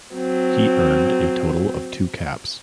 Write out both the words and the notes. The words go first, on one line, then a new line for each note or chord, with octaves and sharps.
He earned a total of two caps.
F#3 C4